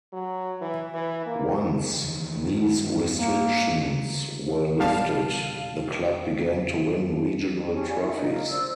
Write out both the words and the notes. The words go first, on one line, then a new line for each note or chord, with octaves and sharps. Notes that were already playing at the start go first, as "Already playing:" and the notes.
Once these restrictions were lifted, the club began to win regional trophies.
F#3
E3
E3
A#3
E2 D#3
G2 D#3
A#3
G#1 E2 B2 G3 F5 A5
C#4 G4 C#5 A5
D5 F5 G#5
E4
D4 D#4 D#5
A#4 F5
C5 D5 E6